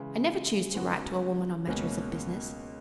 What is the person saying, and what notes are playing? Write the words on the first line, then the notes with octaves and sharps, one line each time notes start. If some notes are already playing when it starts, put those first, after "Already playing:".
I never choose to write to a woman on matters of business.
Already playing: C#3 E3 G#3
C#3 G#3 B3 D#4 F#4
C#2 B2 A#3 C#4